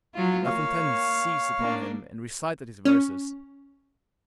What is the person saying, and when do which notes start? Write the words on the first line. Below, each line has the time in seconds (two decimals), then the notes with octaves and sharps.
La Fontaine seized upon him, and recited his verses.
0.14 F#3 F4
0.46 A#3 C#5 F5
1.59 A#3 D4
2.85 C#4